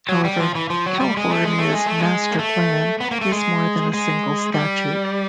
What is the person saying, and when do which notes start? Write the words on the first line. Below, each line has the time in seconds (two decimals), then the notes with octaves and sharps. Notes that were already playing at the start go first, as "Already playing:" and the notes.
However, California's Master Plan is more than a single statute.
0.09 F#3
0.25 G3
0.40 F3
0.55 E3
0.70 F3
0.86 F#3
1.01 G3
1.17 G#3
1.30 A3
1.45 G#3
1.59 A3
1.73 G#3
1.86 A3
2.00 G#3
2.31 A#3
2.39 A3
3.00 B3
3.11 A#3
3.21 A3
3.32 G#3
3.94 G#3
4.54 G3